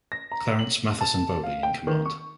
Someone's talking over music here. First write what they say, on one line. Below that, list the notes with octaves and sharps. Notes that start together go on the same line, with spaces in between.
Clarence Matheson Bowley in command.
A#6
A#5
F#7
A5
F5
G5
D#3
C#6